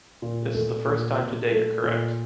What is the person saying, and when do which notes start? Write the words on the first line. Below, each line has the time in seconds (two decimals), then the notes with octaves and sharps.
This is the first time today you’re correct.
0.22 A#2
0.55 A3
0.87 A#2
1.19 A#2
1.52 A3
1.84 A#2